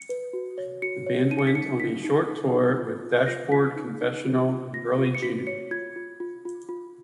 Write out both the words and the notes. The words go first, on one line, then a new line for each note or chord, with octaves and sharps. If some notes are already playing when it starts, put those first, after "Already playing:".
The band went on a short tour with Dashboard Confessional in early June.
Already playing: C#7
B4
F#4
C#5
F#4 C#7
C#5
D#4 D#7
C#7
B6
D#4 C#7
D#4 B6
D#4
D#4
D#4
F4
F4
F4 A#6
F4 B6
D#4
D#4
F4
F4
F4 A#6
F4
D#7
C#7
F#4 B6
C#5 C#7
F4 G#6
F4
F4
F4
F4